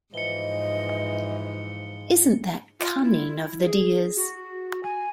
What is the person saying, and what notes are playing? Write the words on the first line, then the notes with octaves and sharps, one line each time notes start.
Isn't that cunning of the dears?
G#2 E3 F3 D#5 C#7 G7
F4
E4
E4
G#4
F#4
G#5